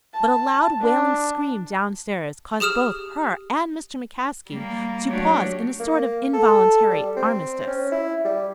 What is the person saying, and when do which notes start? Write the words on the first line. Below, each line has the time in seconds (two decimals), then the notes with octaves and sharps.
But a loud, wailing scream downstairs caused both her and Mr. McCaskey to pause in a sort of involuntary armistice.
0.14 A5
0.80 D4
2.60 G4 G#4 D#6 F6 E7
4.49 G3 A#3
5.09 F#3 A3 D4 F#4 G4 C#5
5.80 A#3
6.34 A4
6.90 G3
7.17 C4
7.67 C#4
7.92 E4
8.25 G3